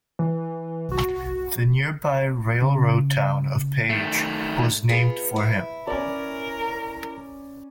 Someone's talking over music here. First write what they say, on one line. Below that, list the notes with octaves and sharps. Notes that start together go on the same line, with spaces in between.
The nearby railroad town of Page was named for him.
E3
F#4
C#3
D#3 A3
B3 F4 G#4
E4
C#4 A#4 D5